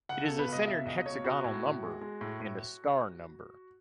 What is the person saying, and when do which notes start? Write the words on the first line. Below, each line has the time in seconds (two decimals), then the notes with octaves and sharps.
It is a centered hexagonal number and a star number.
0.09 C#2 F#5
0.24 B2 A4
0.39 B4
0.48 C#2 D#5
0.67 B2 E5
0.87 C#2 D#5
1.06 B2 C#5
1.25 B3 F#4
1.44 A2
1.63 A2
1.83 G#3
2.01 G#3
2.21 A2
2.40 A2